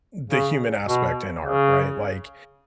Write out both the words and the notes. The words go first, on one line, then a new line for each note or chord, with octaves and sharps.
the human aspect in art, right? Like,
C#3
B2
C#3